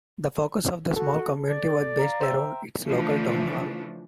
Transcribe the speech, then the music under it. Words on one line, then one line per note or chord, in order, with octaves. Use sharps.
The focus of the small community was based around its local town hall.
F#4 A4
D5
F5 A#5
C5 E5 G5
C#3 E3 F3 A3 D4